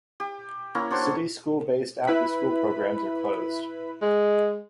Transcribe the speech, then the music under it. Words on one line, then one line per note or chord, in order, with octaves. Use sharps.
City school-based afterschool programs are closed.
G4
A#3 C#4 E4 A#5
D4 F#4 C5 C#5
E4 B4 B5
G#3